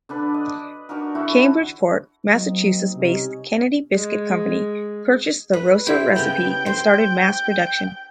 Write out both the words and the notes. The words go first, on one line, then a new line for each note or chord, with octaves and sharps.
Cambridgeport, Massachusetts-based Kennedy Biscuit Company purchased the Roser recipe and started mass production.
D3 D4 B4
D#5
D4 D#4 F#4 A#4
E4 F#4 A4
F#3 A#3 C4 D#4
C3 G3 C#4 D#4
G#3
B4
E4 G4 C5
C#3 B3 G5
C5